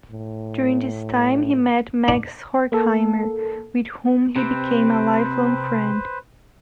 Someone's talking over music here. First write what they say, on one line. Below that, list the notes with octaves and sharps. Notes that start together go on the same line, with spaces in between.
During this time he met Max Horkheimer, with whom he became a lifelong friend.
A2
D4
A#3 A4
C3 C4 B4 C5